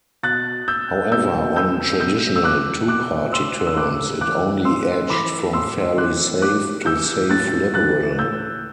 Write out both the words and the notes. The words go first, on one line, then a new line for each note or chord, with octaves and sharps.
However, on "traditional" two-party terms, it only edged from fairly safe to safe Liberal.
B2 F#6 A6
E6 G6
B2 E6 G6
E6 G6
B2 E6 G6
E6
D6 F#6
B2 D6 F#6
C6 E6
E6
A2 D6 F#6
E3 D6 F#6
A2 C6 E6
E3 B5 D6
A2 C6 E6
E3 D6 F#6
A2 D6 F#6
E3 E6 G6
A2 F#6 A6
E3 F#6 A6
A2 E6 G6